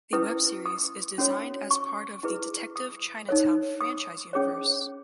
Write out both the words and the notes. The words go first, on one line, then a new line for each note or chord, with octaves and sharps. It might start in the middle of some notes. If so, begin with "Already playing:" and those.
The web series is designed as part of the "Detective Chinatown" franchise universe.
C#4 E4 B4 D#6
D#6
C#4 F#4 A4 C#5
C#6
E4 G#4 B4
D#6
D#4 A4 C#5
D#6
C#4 G#4 C#5